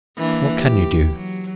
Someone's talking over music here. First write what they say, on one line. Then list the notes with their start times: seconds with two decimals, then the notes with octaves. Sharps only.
"What can you do?"
0.17 E3 A#3 D4
0.56 G4
1.13 F#3